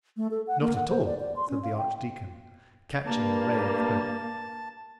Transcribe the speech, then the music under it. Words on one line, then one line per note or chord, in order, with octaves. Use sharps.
"Not at all," said the archdeacon, catching a ray of hope.
A3
A4
F#5
A#3
F#5
C5
D5
D5
C6
C#4
F5
G5
G2 A#3 A5